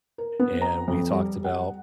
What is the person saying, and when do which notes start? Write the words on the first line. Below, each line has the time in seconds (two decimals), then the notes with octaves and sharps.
and we talked about,
0.18 A#4
0.39 B3
0.62 A#5
0.88 F2
1.12 G3
1.44 F#5